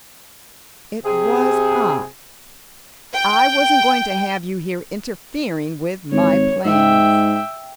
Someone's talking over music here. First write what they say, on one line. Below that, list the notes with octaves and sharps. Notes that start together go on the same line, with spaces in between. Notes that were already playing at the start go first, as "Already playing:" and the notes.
"It was I. I wasn't going to have you here interfering with my plans."
C3 G#4
G5
G#1 C#5
G#2 E5 G5